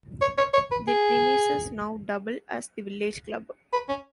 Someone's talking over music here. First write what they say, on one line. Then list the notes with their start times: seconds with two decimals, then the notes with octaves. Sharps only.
The premises now double as the village club.
0.21 C#5
0.38 C#5
0.53 C#5
0.71 B4
0.87 G#4
3.73 B4
3.89 C#4